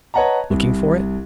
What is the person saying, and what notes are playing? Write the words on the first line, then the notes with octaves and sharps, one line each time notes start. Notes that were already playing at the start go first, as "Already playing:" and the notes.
"Looking for it?"
B4 C#5 D#5 F#5 A5 A#5
C2